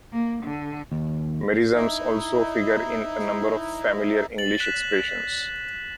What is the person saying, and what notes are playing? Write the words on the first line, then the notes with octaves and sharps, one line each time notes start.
Merisms also figure in a number of familiar English expressions.
A#3
D3
D#2
D#4 E4
A6 F#7
F#6 B6 E7